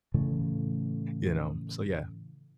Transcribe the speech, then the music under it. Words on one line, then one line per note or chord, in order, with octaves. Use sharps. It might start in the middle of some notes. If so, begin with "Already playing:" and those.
you know? So yeah.
A2 C#3 E3 A3